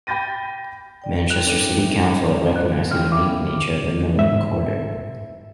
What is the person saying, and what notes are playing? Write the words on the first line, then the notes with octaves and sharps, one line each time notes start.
Manchester City Council have recognised the unique nature of the Northern Quarter.
G5 B5 G6 A6 A#6 D#7
D5 G5
D#4 G#4 G5 F#6
C3 A3 C#4
F4 F#6
A#1 B3 G4 G#4 F5 G5 F6
E4 D6
G#2 E5